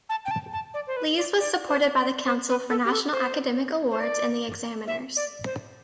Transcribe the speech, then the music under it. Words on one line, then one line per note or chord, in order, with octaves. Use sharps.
Lees was supported by the Council for National Academic Awards and the examiners.
A5
G5
A5
A5
D5
C5
B4
D5
D5
C5
D5
C5
B4
A4
G4
A4
C5
C5
D5
E5
D5
C5